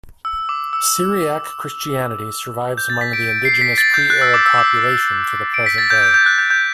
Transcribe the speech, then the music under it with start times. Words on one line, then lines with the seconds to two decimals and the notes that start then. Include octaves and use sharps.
Syriac Christianity survives among the indigenous pre-Arab population to the present day.
0.25 E6
0.49 D6
0.73 E6
2.77 G6
2.90 A6
3.01 B6
3.13 D7
3.29 D7
3.45 C7
3.61 B6
3.78 A6
3.94 G6
4.10 F#6
4.21 E6
4.34 D6
4.46 E6
4.58 D6
4.82 E6
5.54 D7
5.66 B6
5.78 A6
5.90 G6
6.02 G6
6.14 G6
6.26 F#6
6.38 G6
6.50 G6